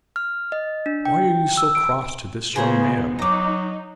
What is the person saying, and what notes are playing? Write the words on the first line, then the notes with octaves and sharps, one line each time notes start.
'Why are you so cross to this young man?'
F6
D#5
D4
G5
E6
D7
C#3 B3 G#4 C5 A#5
F#3 D#4 A#5 D6